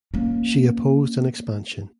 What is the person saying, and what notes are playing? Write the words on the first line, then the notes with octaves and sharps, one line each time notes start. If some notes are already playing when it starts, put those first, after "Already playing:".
She opposed an expansion.
A#3 C#4